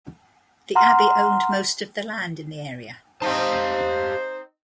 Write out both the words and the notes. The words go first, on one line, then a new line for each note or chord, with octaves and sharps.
The Abbey owned most of the land in the area.
F#5 A#5 C6 F6
C4 D#4 G4 C5 F5 A5